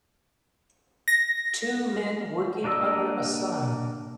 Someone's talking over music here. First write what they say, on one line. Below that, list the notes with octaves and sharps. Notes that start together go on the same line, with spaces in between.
Two men working under a sign.
A#6
A#3 D4 A#4 D#5 E6